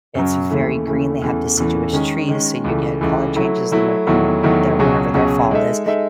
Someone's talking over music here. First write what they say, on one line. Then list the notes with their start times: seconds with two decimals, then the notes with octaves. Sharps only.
It's very green, they have deciduous trees, so you get color changes in their in their whenever their fall is.
0.15 F#2 C#3 F#3
0.50 D#2 C#3 E3 A3
0.86 D#2 C#3 E3 A3
1.22 E2 C#3 E3 A3
1.57 E2 C#3 E3 A3
1.93 D#3 G#3 C#4
2.29 D#3 G#3 C#4
2.64 C#2 C#3 E3 A3
3.01 C#2 C#3 E3 A3
3.36 F#3 A3 E4
3.72 F#3 A3 E4
4.07 E2 D#3 F#3 A3 E4
4.43 E2 D#3 F#3 A3 E4
4.79 C#2 B2 F#3 C#4 G#4
5.14 C#2 B2 F#3 C#4 G#4
5.51 G#3 D#4 A4 E5
5.86 G#3 D#4 A4 E5